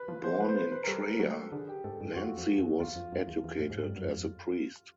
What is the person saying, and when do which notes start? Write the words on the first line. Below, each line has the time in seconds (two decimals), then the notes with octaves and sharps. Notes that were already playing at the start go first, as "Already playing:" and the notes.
Born in Treia, Lanzi was educated as a priest.
Already playing: B4
0.08 F3
0.23 F3 C5
0.40 B4
0.49 C5
0.56 B4
0.72 B4
0.84 A#4
0.87 G3 A4
1.19 F#3
1.52 D3 G#4
1.69 G4
1.84 G#2 A4
2.01 G2
2.12 F4
2.16 F2 F#4
2.38 F2
2.58 F2
2.80 E2 F4
2.96 F2
3.12 F#2
3.28 E2
3.44 E2
3.58 A2
3.70 G#2
3.83 G2
3.96 F#2
4.09 F2